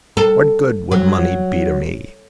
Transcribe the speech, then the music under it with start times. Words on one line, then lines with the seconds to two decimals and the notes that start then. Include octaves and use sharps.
What good would money be to me?
0.17 A4
0.92 F#3